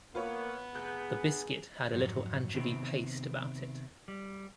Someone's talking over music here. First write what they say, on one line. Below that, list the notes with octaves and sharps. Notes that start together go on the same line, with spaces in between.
The biscuit had a little anchovy paste about it.
A#3 B3 F4 B4 C#5
F1 G#4 F#6 G6
F2 G#2 F#3
C3 D#3 B3 C4
G3